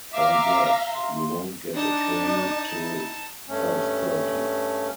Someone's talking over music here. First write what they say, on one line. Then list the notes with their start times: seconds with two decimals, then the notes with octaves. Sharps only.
By gad, you won't get a train till five-thirty.
0.13 E5 F5 A#5 D6
0.93 C6
1.74 D4 D#4 A5
2.73 E4
3.49 G2 A3 C#4